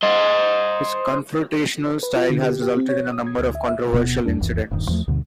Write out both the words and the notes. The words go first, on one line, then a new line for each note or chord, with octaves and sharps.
His confrontational style has resulted in a number of controversial incidents.
C5 D#5
B4
F4
D3
G4
G4
C4
C#5
D#6
G#6
D2
E5
E5
D1 B2 B3
E2 G3 D4
F1 C#2 F#2 E3
D#1 G2 C3 D#3
E2 F3 A3
D2 G2 B2 D3